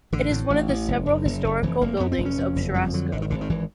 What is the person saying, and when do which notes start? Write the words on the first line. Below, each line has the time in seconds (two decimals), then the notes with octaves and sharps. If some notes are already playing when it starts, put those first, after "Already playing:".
It is one of the several historical buildings of Cherasco.
0.13 A1 D3
0.31 A2
0.50 A1
0.69 A1
0.88 F#1
1.06 F#1
1.25 F#1
1.44 F#1
1.63 F1 E3
1.81 F1 A#3
2.00 F2 B3
2.12 C4
2.18 F1
2.25 C#4
2.38 F2
2.56 F#1
2.74 F2 G3
2.94 D3 F#3
3.12 G#1 D3
3.22 D#3
3.30 G#1 D3
3.41 D#3
3.50 G#1 E3